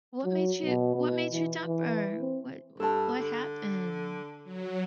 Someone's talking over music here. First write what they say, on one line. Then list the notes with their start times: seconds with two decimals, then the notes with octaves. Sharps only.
What made you what made you dump her? What w what happened?
0.24 F#3
0.65 B2
0.95 B2
1.32 E3
1.66 E3
2.21 C4
2.80 G2 A4 A5
3.19 D3
4.44 F#3